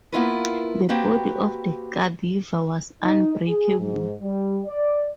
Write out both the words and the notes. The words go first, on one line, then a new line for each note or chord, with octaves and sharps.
The body of the Gandiva was unbreakable.
A#3 B3 E4 F4 A#4 B4
A#3 C4 F#4 G4 B4
D#4
G#4
G#2
G3
D5